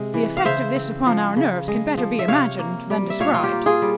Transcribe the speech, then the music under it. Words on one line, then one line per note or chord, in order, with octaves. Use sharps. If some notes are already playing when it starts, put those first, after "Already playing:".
The effect of this upon our nerves can better be imagined than described . . . .
Already playing: C3 G#3
E3
F5
C#3 C5 E5
C4
F3
C#3
G#3
F3
E5
C3 C#5 F5
A#3
G3
E5
A#2 C#5 F5
F4
G4
A#3
F4 G#4
G3